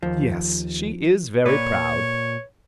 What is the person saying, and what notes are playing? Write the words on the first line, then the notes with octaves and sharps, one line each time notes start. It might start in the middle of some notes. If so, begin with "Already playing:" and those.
"Yes, she is very proud."
D#2 F3
A#2 B4 C#5 D5